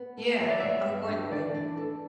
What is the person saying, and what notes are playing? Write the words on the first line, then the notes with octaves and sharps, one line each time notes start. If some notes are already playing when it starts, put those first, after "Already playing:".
Yeah, I'm going to.
Already playing: B3
A4
F#3 E5
D5
B3 E5
G2
D4
E3 D5
D4
A4